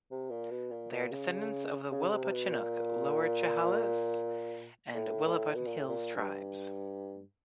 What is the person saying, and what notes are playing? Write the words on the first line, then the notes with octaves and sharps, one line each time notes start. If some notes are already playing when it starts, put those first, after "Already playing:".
They are descendants of the Willapa Chinook, Lower Chehalis, and Willapa Hills tribes.
C3
A#2
B2
A#2
A#2
C#3
C#3
C3
C3
B2
A#2
A2
A2
B2
A#2
A2
A#2
G2